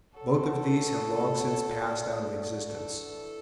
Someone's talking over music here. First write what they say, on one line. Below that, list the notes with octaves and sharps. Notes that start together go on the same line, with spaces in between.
Both of these have long since passed out of existence.
F#3 A4
F#3
A3
A3
F#3
F#3
A3
D3
D4
D3
D4
D3
E3 A4
D4
E3